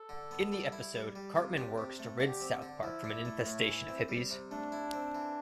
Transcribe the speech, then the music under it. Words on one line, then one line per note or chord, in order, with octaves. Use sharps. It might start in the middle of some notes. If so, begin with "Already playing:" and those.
In the episode, Cartman works to rid South Park from an infestation of hippies.
Already playing: A4
D3
B3
G3
E4
G3
G3 G4
C3 F4
D4 G4
C3 G4
A3
D3
G4
C4
D3
F3 E4
D4
A3
A2
E3
C4
G3
C3
A3 D4
E4
C4
E3